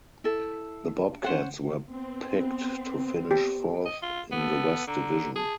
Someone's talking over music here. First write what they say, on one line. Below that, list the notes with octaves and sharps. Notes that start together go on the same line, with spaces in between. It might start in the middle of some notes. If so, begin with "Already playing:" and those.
The Bobcats were picked to finish fourth in the West Division.
E4 A4
C#4 C5 F#5
B3 C4
G4
D#5
F4
B3 A4
D3 A#5
G#4 A5